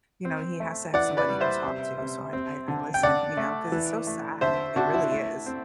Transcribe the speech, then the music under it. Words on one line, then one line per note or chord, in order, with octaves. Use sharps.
you know, he has to have somebody to talk to, so I I I listen, you know, 'cause it's so sad, it it really is.
C4
A3
E3 D5 F#5
B4 D5
G3
C5 E5
C3
C3
C4
D3
G5
D3 D5 F#5
A3
E3
A3
D3 C5 E5
D3 D4 F#4
E4
A3
C4